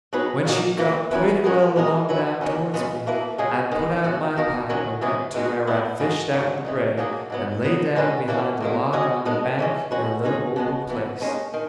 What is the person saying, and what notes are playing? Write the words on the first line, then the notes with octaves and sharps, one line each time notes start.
When she'd got pretty well along down towards me, I put out my pipe and went to where I fished out the bread, and laid down behind a log on the bank in a little open place.
F#3 B3 D#4 G#4 B4
A#2 F#3 A#3 D#4 F#4
C#3 E3 A#3
D#3 F#3 C#4 E4 B4
F#3 C#4 F#4 A#4 D#5
B2 G#3 D#4 A#4 D#5
F#3 C#4 E4 B4 E5
D#2 D#3 F#3 C#4
F#2 C#3 G#3 B3
B2 A#3 E4 B4 E5
D#2 C#3 G#3 C#4 G#4
D#3 G#3 B3
C#3 E3 B3 F#4
B2 A#3 D#4 A#4
D#3 F#3 C#4
G#2 E3 G#3 C#4 G#4
B2 G#3 D#4 F#4
G#3 B3 E4
G#2 D#3 G#3 D#4 F#4
G#2 F#3 C#4
E3 G#3 D#4
G#2 F#3 A#3 D#4 G#4
G#2 F#3 B3
F#3 B3 D#4
D#3 G#3 C#4 G#4 B4
E3 A#3 C#4
E2 B2 A#3 E4
G#2 F#3 C#4 G#4 D#5
B2 G#3 B3 D#4 A#4
E3 G#3 C#4
G#3 C#4 F#4 B4
G#3 B3 D#4 G#4 C#5
B2 G#3 B3
G#2 E3 B3
D#2 D#3 G#3 C#4
D#3